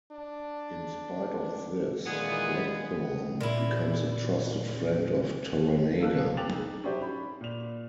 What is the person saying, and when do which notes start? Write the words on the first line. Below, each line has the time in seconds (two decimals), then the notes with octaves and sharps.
In spite of this, Blackthorne becomes a trusted friend of Toranaga.
0.11 D4
2.06 A#2 D#3 E3 G#3 B3 G#4
3.40 A#2 E4
6.00 A4 F5 E6 F#6
6.37 G5 D6 A6 F7 F#7
6.49 D#4 G#4
6.83 F#3 C#4 D#4 E4 G4 C5
7.02 B5
7.41 A#2 F7